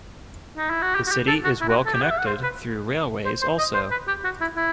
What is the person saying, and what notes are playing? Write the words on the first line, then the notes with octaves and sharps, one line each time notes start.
The city is well connected through railways also.
D#4
E4
F#4
G4
F#4
G4
A4
F#4
E4
F#4
A4
G4
F#5
E5
F#5
C5
B4
C5
C5
D#5
C5
B4
G4
F#4
E4
E4